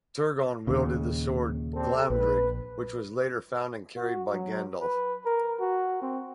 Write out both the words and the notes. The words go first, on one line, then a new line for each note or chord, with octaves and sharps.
Turgon wielded the sword Glamdring which was later found and carried by Gandalf.
D#2 A#2 C#3
G3 C4 A4
A#1 B4
F#4
F#3
B4
A#4
F#4
C4